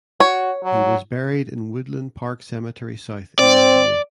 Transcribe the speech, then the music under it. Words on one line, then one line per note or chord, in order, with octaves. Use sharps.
He was buried in Woodland Park Cemetery South in Miami.
F#4 C#5
F#3
C4 D5